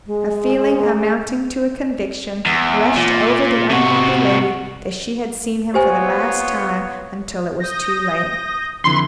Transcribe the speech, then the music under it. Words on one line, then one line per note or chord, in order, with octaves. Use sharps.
A feeling, amounting to a conviction, rushed over the unhappy lady that she had seen him for the last time until it was too late.
G#3
E2
A#2
C3 F#4
B3 F4 G4 C5 C#5 G#5
D#6 G6 A#6
F2 D3 E3 B5 C6